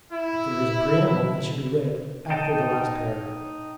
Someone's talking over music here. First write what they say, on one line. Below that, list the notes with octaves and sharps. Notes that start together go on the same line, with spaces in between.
If there is a preamble it should be read after the last paragraph.
E4
D#4 G5 A5